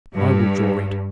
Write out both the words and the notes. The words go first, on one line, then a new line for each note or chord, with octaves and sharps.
"I will draw it."
G2